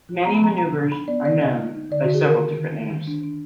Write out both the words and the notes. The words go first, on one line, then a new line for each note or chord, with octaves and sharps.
Many maneuvers are known by several different names.
F3
B3 A#5
B5
F3 A#5
F3 A#5
D4
D#4 B5
B3 D5
D3 D5
D#4 D#5
G#3
D#4
D3 D5
D3 F#4
G#4
D#3 A#4
D#3
D#3
G#3
D#3
D4
D4